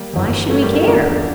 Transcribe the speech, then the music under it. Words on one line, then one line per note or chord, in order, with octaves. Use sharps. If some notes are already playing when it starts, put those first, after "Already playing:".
Why should we care?
Already playing: G3 A#3
G1 F2 E3
A3 C#4
G3 A#3
A3 C#4
E4
E2 D3 F3 A#3 D4